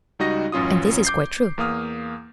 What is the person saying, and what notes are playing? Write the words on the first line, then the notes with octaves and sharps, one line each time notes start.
And this is quite true.
C#2 G3 D#4 F#4 D#5 A#6
A1 F#2 C#4 F4 D#6
D6 G6 C7
E2 A#3 F5 D#6 F6